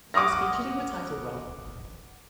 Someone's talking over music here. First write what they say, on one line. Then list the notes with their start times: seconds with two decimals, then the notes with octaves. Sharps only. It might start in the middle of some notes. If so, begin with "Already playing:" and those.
He was featured in the title role.
0.14 F#5 D6 D#6 F6 A#6